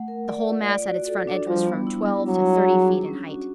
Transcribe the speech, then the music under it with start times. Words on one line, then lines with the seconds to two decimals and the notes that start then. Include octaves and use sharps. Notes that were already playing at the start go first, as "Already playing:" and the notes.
The whole mass at its front edge was from twelve to thirty feet in height.
Already playing: A3 F#5
0.08 A#4
0.28 D5
0.48 F4
0.68 D5
0.87 F#4
1.07 A4
1.27 D4
1.47 F3 G3
1.67 B3
1.87 E4
2.06 G3
2.26 F#3 D4
2.46 F4
2.66 G#4
2.85 D4
3.06 C#4
3.26 F#4